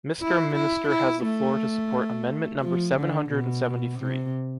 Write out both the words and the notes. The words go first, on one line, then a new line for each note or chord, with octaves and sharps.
Mister Minister has the floor to support amendment number seven hundred and seventy-three.
E4
E4
E4
A3
F3
D3
B2
C3